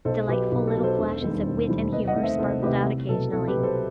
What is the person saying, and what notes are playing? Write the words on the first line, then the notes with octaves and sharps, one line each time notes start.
Delightful little flashes of wit and humour sparkled out occasionally.
B1 A4 C5
B2 F#3 B3 G4 B4
B1 G4
A4
B2 F#3 B3
A4 C5
E1
D#2 D#3 G3
E1
D#2 D#3 G3
C2 B4 D#5
D#5 F#5
C3 D#3 A3
C5 E5
C2 A4 C5
C3 D#3 A3 G4 B4
C2
B2 F#3 A4
C2 A4
G4 B4
B2 F#3
A4 C5